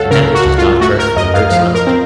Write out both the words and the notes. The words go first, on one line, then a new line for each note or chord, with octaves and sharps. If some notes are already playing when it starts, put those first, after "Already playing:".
And that which is not hurtful hurts not?
Already playing: C#2 A4 C#5 F5 F#5
C#3 A#4
F#4
C#2
F4
A3 F#4
A#4
F#2 D#5
F5
F3 F5
A#4
C4